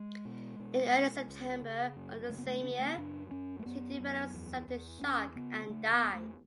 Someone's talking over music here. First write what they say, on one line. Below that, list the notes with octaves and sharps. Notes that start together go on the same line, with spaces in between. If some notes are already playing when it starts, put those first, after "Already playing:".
In early September of the same year, she developed septic shock and died.
Already playing: G#3
B2
B2
B2
C#2
C#3
F#2
C#3 A3
B3
A3
C#3 C#4
B3
A3
B3
F#2 D4
F#2 C#4
A3
F#2 B3
F#2
E2
E2
E2 C#4
C#3 B3
C#3 A3
B3
E2
A3